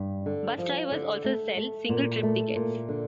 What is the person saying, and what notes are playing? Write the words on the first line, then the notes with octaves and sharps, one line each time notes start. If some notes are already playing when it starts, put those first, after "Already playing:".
Bus drivers also sell single-trip tickets.
Already playing: G2
D3
F3
D3
A3
A3
A#2
A3
A#2
D3